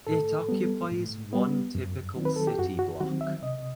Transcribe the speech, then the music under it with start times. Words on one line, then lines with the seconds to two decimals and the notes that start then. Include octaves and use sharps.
It occupies one typical city block.
0.07 A2 A4
0.49 G3 B3
0.91 A2
1.33 G3 B3
1.75 F#2
2.16 D#3 F#3 C4
2.25 B4
2.36 A4
2.47 G4
2.58 F#2 F#4
2.79 F#4
3.00 D#3 F#3 C4 F#4
3.21 E5
3.42 C3 D#5